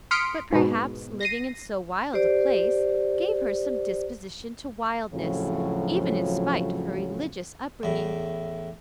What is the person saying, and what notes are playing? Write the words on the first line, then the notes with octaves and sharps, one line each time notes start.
But perhaps living in so wild a place gave her some disposition to wildness, even in spite of her religious upbringing.
C6 D#6 F6 B6 C#7 D7
G#2 B2
A#6 C7 D#7
G4 C5 D5
F2 A2 C#3 F3 F#3
E2 A2